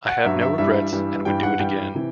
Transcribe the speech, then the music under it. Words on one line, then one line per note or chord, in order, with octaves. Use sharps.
I have no regrets and would do it again.
F#5
G2 F#3 E5
E5
G2 E3 G3 E5
G2 E3 G3
G2 E3 G3 G5
F#5
G2 E3 G3 G5
C3 E3